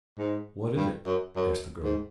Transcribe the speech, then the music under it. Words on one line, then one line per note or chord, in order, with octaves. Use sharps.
"What is it?" asked the girl.
G#2
G2
F#2
F#2
G#2